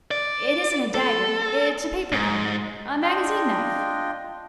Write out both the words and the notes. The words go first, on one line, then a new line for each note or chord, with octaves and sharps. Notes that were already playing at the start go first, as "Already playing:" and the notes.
"It isn't a dagger--it's a paper-cutter--a magazine knife."
D5
A4
G#2
D4 F4 D#5 G5